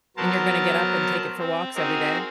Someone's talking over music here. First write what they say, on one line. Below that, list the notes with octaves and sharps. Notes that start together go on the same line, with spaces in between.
And you're gonna get up and take it for walks every day?
F#3 B3 A#4 C5 A5
C4
C4 D#4 F#4 G#4 A#4